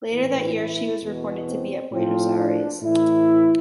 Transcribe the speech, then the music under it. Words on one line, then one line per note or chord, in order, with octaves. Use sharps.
Later that year she was reported to be at Buenos Aires.
A2 E3 B4
E4
E2 B2
C4
A2 F3 C4
D4
A2 E3 E4